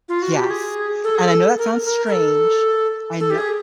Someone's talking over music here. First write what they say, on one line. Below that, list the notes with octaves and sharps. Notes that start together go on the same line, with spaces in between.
Yes, and I know that sounds strange, I kn
F4
F#4
G4
G#4
A4
G#4
A4
A#4
A#4
A#4
A4
A4
G4
G#4